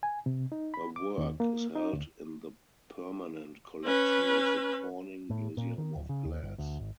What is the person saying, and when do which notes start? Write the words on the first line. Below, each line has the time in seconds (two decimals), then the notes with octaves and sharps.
Her work is held in the permanent collection of the Corning Museum of Glass.
0.03 G#5
0.26 C3
0.52 D#4
0.74 B5
0.96 D6
1.18 D#2
1.40 A#3
1.76 D#4
1.93 D2
3.84 C#4 B4
5.30 A2
5.57 A#2
5.78 D#3
5.96 D1
6.09 C#3
6.25 D#2
6.42 G1
6.58 D2
6.80 G#1